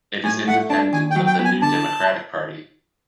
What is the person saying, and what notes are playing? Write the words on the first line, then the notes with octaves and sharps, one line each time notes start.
It is independent of the New Democratic party.
A2 G#5
A3 F#5
D4 A5
D#2 G#5
G5
F#3
G5
B3
G#5
D3 A5